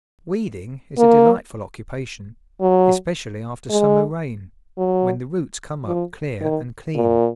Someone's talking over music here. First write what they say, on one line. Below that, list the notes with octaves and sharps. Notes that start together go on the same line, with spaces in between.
Weeding is a delightful occupation, especially after summer rain, when the roots come up clear and clean.
A#3
F#3
G#3
F#3
F3
D#3
A#2